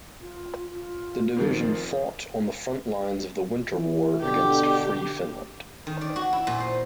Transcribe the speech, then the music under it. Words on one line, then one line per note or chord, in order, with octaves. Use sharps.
The division fought on the front lines of the Winter War against free Finland.
F4
F4
F2 D#3 F3 A#4
E3
B2 D3 G4
D#3
D5
F#4
E4
A#2
C5